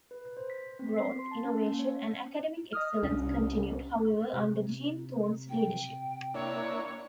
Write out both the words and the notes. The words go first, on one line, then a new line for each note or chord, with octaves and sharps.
Growth, innovation, and academic excellence continued, however, under Gene Thorn's leadership.
B4
C5
B6
C4
C7
C6
A5
C#4
A#3
C#5
D#5 D#6 F6
C2 C#4 D4
C3
G5
A#3 D4 E4 C#5